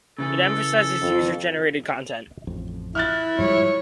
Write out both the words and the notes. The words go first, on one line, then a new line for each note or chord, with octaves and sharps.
It emphasizes user-generated content.
C#3 E3 G#4 A4
F2
A1 F2
E4 F6 F#6 A6
G#2 F3 G3 C#5